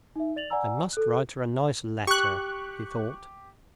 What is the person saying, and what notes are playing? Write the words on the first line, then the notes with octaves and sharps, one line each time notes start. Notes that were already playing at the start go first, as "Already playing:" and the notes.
"I must write her a nice letter . . ." he thought.
D#4 E5
D5 A6 F7 F#7
D5 F#5 G#5 A#5 E6
A4 F#6
G4 C#6 F#6